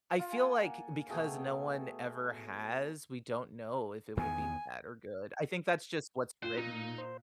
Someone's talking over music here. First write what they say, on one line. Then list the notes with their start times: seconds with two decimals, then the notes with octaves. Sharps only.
I feel like, because no one ever has, we don't know if it would be bad or good. I think that's just what's written.
0.18 F4 F5
0.32 A#3 F#5 G#5
1.10 B2 A3 G#4 G5
4.17 E2 D#3 B3 G#5
6.43 F4 C5 F#6
6.57 A#2 D#4
6.98 C5